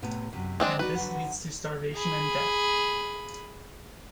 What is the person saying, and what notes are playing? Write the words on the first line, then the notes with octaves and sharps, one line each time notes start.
And this leads to starvation and death.
A2 C3 B3
F#2 C3
D3 G#3 C4 D4 C5 G#5
D#4 F#4 B4 D5
D3 F#3 F#5
G#4 B5